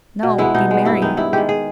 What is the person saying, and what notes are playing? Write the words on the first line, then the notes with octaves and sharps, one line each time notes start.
No, be merry.
B2
G#3 B3 E4
B2 D#4
G#3 B3
G2 E4
D#3 G#3 D#4
G2 E4
D#3 G#3 G4
G#4